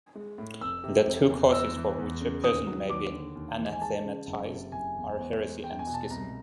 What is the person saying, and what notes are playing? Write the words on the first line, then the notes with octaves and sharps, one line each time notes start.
The two causes for which a person may be anathematized are heresy and schism.
G#3
A2
F1 E6
C3
F1
E2
E2 E6
E3
E2
C#3
D#2 D#6
F#3
D#2 D6
D3
D#2
E3
G#5
G#3 A5
C#3
F#1
C3
F#1 G#5
E2
E2
G#3
E2 G5
G#5
B2
A5
C2 A#5